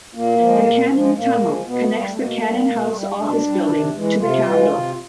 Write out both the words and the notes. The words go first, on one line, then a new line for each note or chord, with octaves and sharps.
The Cannon Tunnel connects the Cannon House Office Building to the Capitol.
A#2 A#3
F3 G#3
A#2
F3 G#3
A#2 A#3
F3 G#3
B2 B3
G3
A3
B2 A#3
G3
B2
G3
B2 D4
G3
C3
E3 G#3
C3 F4
E3 G#3
C3